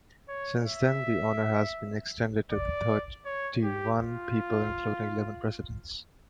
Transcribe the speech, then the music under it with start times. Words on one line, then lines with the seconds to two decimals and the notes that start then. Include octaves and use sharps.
Since then, the honor has been extended to thirty-one people, including eleven Presidents.
0.29 C#5
0.65 E5
2.51 D5
3.26 C#5
3.63 G4
4.00 F4